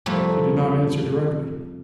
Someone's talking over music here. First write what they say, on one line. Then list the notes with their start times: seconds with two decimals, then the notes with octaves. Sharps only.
She did not answer directly.
0.06 F2 C3 G3 A3 A#3